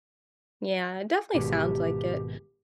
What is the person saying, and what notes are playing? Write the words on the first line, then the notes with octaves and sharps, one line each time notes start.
Yeah, it definitely sounds like it,
G#1 B2 G4